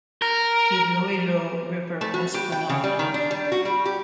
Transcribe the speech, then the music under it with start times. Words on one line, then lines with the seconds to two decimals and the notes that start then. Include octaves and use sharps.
Iloilo River Esplanade.
0.22 A#4
2.01 A3
2.14 F#4
2.34 G4
2.52 G5
2.69 C#3
2.84 G3
2.99 D#3
3.14 D4
3.31 G3
3.52 F#4
3.65 G3
3.85 G4